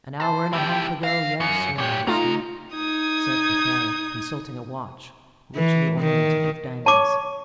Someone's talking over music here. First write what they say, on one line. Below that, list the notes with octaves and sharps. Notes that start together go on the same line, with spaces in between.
"An hour and a half ago, yes, your majesty," said Fouquet, consulting a watch, richly ornamented with diamonds.
C5 A5
E4 G4 G5
F5 A#6 C7
F#2 C#7
A#2 G4 C#5 F#6
A3 D#4 F4 G4 A#5
D#4 D#6 G#6
E3
D#3
C#5 A5 D6